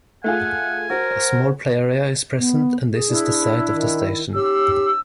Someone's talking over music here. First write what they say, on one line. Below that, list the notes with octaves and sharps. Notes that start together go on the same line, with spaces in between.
A small play area is present and this is the site of the station.
A3 F4 G#4 F#5 G#5
F#4 A#4 C5
B3
G#4
D4 E4
D#3
C#4 D#4 G4 E6